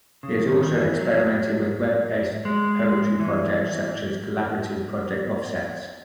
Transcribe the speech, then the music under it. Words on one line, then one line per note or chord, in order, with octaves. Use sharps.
He has also experimented with web-based poetry projects such as the collaborative project "OffSets".
C#3
D#3
E3
F#3
G#3
G#3
E3